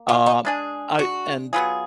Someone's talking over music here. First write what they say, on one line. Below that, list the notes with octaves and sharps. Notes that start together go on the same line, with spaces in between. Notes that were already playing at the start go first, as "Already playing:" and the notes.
Um, I and
Already playing: A#3
F4
D#4
G#3 D4 G#4
F#4
F#3 B3 F4 G#4